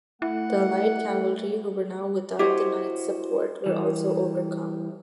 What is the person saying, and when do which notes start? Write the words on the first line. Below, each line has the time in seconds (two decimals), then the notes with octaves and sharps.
The light cavalry, who were now without the knights' support, were also overcome.
0.22 A3 E4 F#5
2.39 E4 F#4 G4 C5 C#5 D#5
3.66 E3 G3